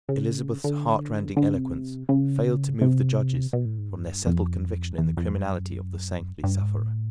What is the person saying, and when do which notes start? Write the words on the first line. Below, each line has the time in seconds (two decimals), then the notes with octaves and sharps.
Elizabeth's heart-rending eloquence failed to move the judges from their settled conviction in the criminality of the saintly sufferer.
0.09 C#3
0.64 D3
1.37 D3
1.55 C3
2.09 C#3
2.81 C3
3.53 B2
3.65 A2
3.78 G#2
3.90 G2
4.26 F2
4.98 E2
5.17 F2
5.35 F#2
6.44 G2
6.62 G#2
6.80 A2